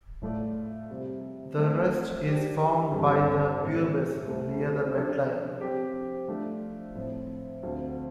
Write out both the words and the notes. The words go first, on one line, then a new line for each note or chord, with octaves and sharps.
The rest is formed by the pubis, near the midline.
A2 A3 F4 D5
F2 C3 G3
F3 A3 C4 A4
F3 D4 G4
G2 G3 C4 A4
A2 G3 C4 A4 C5
C2 C3 A3 C4
F3 D4 A4 C5
F3 C4 G4
F3 A3 D4 F4
A2 F3 C4
D2 D3 F3 C4 F4